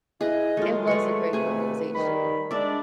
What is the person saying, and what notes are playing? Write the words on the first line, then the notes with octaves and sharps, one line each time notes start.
It was a great conversation.
E4 G#4 B4 D#5
D#3 F#3 G#3 A3 F4
A3 B4 C#6
D#2 C3 A3 G#4 G#5
D#3 G3 B5
G#3 D4 D5 E5